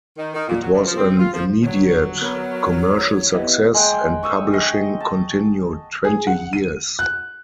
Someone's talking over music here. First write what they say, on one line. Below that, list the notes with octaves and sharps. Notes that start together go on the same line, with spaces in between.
It was an immediate commercial success, and publishing continued twenty years.
D#3
D#3
A#2
F#3
F#2
F3
C4
F4
F3
D3 F#3 G3 C#5
B3 A#4 B4 C#5
B3 E4 G4 B4 D#5
G#3 F#5 G5
C#6 D#6 E6
D#5
A5
G#4
F#5
D#7
F#6